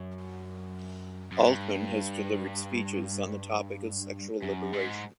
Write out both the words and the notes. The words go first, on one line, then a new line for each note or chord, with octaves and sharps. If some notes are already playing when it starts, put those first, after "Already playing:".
Altman has delivered speeches on the topic of sexual liberation.
Already playing: F#2
F#2
G2
F#2
G#2